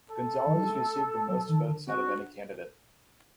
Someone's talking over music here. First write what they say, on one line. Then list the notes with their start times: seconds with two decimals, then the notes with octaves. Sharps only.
Gonzalez received the most votes out of any candidate.
0.10 A4
0.46 D#3
0.54 F#3
0.62 G3
0.69 A3
1.29 F#3
1.49 D#3
1.68 D3
1.87 C4 F#4
2.02 D4